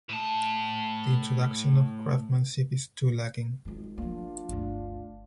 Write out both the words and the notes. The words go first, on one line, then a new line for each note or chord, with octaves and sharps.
The introduction of craftsmanship is too lacking.
A2 A5
G#1 G#3 F4
F3 A#3 D4 F4
G1 D2